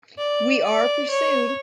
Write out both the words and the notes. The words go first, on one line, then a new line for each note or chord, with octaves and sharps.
We are pursued.
D5
D5
C#5